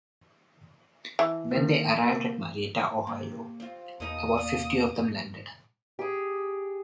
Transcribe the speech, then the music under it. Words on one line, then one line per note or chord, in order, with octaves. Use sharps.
When they arrived at Marietta, Ohio, about fifty of them landed.
E3
D#3 A#3
A#3
C3 A#3
C4 F4
E2 B2 A#3 D#4 D#6
A#3 F4 D5
G2
G4 G#4